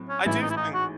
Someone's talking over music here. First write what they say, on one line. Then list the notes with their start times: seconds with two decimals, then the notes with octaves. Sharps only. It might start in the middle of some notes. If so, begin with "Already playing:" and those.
I do think
Already playing: A2 F#3 C4
0.09 C#4
0.25 A1 G#2 E3 E4
0.41 D#4
0.50 E4
0.57 D#4
0.74 F#4